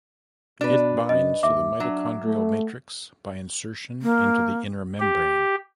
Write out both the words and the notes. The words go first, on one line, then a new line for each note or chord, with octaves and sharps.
It binds to the mitochondrial matrix by insertion into the inner membrane.
B2 D4 B4
F#2 D#5
D#2 E5 D6
F#3 D4
A3
A#3
G4